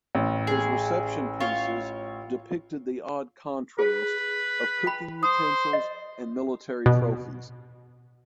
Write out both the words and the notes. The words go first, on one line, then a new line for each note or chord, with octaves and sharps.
His reception pieces depicted the odd contrast of cooking utensils and military trophies.
A1
G#4
F4 C#5
G#4 B4
G5 B5
C5 D#6
D#5
B2